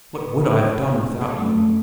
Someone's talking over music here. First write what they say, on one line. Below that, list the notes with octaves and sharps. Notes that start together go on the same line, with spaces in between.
'What would I have done without you?'
B3
G#3
A3